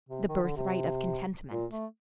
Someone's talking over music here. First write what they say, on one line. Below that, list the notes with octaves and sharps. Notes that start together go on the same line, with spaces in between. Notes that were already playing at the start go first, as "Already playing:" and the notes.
The birthright of contentment.
C3
D#3
D3
C3
A#2
A3